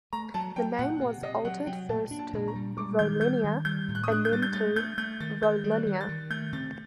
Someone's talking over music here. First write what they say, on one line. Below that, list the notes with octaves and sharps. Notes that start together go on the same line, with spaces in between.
The name was altered first to "Volenia" and then to "Volinia".
A3 A#5
F#3 A5
F#3 G5
A#2 F#5
C3
C3 D#5
F#3 F#5
F#3 G5
A#2 A5
D4
A5
A#2
A#5
G3
G3 D6
D#3 G6
G3 G6
D#3
G3 G6
A2
F#6
D#6
D4 F#6
G6
G3 A6
G6
A3 A6
A3 G6
A3 G6
D#3 A6
D#3 G6
G3
F#6
D#3
A6
D#3
A3 G6
C3 A6